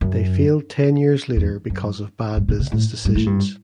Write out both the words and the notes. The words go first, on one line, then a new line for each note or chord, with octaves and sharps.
They failed ten years later because of bad business decisions.
F#2
E2
F#2
G2
B2
C3
A2
G2
A2
G2